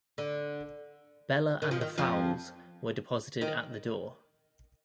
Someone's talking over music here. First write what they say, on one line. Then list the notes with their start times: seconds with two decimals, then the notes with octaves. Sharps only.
Bella and the fowls were deposited at the door.
0.18 D3
1.62 D#3
1.71 F3
1.81 D#3
1.98 F2 F3
3.41 D#3